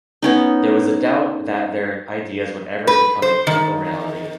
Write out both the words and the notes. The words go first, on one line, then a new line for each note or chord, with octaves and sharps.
There was doubt that their ideas would ever become a clinical reality.
B3 C#4 D#4
B4
C5
D#3